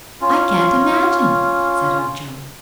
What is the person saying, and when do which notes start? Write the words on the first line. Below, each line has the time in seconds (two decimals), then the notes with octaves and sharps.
"I can't imagine," said Ojo.
0.21 C#4 F4